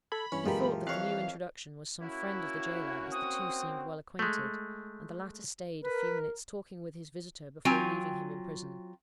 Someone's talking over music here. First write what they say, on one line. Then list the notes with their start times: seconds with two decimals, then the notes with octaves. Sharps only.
He thought that the new introduction was some friend of the gaoler, as the two seemed well acquainted, and the latter stayed a few minutes talking with his visitor before leaving him in prison.
0.12 A4 B5 G#6
0.32 G2 E3 C#4
0.46 F#2 A#2 E3 F3 G#3 G4 A#4
0.87 F2 C#5 F5 F#6
2.01 A#3 C#4 E4 F#4
3.12 C4 D#6
4.19 G#3 A3
5.83 A#4 B4
7.65 F#3 C4 F4 G5 G#5